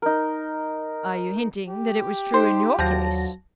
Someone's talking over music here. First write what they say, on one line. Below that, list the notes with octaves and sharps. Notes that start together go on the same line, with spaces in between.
"Are you hinting that it was true in your case?"
D#4 A#4
G4
D#4 C5 C6
D#2 D3 F3 F#3 A5 A#6